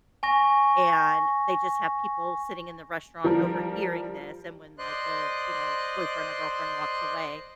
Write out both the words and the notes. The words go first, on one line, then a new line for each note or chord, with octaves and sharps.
And they just have people sitting in the restaurant overhearing this, and when, like, the, you know, boyfriend or girlfriend walks away,
G#5 C#6 A#6
F3 G3 A#4
C5 D5 D#5 C6 F#6